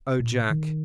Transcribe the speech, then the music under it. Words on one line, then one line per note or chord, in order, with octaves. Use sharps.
"Oh, Jack!"
A#2
D#3